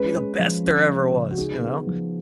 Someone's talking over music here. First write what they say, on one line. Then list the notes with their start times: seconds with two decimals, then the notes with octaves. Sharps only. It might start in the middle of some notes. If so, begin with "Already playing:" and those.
Be the best there ever was, you know?
Already playing: G#3 C#4 B4
0.14 G#3
0.39 F3
0.64 C#4
0.88 G#3
1.13 C#3
1.31 F#4
1.37 D#4 G#4
1.61 B3
1.87 F3